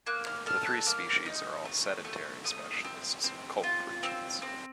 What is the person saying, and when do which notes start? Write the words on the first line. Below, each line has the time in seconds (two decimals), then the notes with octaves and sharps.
The three species are all sedentary specialists of cold regions.
0.06 A#3 F#6
0.27 F6
0.46 A4 F6
0.66 F#6
0.86 A#3 F6
1.26 D#4
1.65 A3
2.05 A3
2.44 A3 D#6
2.85 C4
3.24 C4
3.63 F4
4.03 C4 E6
4.42 C4